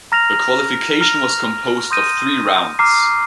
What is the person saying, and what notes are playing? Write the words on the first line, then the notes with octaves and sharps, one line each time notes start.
The qualification was composed of three rounds.
A#5 F6 A#6 F7
A#5 F6 A#6 F7
C6 D#6 G6 A#6 D#7
A#5 D6 F6 C7